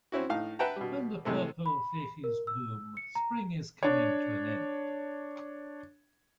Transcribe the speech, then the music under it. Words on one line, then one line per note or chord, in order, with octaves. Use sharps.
When purple vygies bloom, spring is coming to an end.
C4 C#4 E4 F#4
A2 D#4 F5 F6
B4 E5 F#5 G5 A5 A#5
B2 G3
A2 C3 G#3 A3
B5
A#4
E6
C#7
A#5
D4 C#5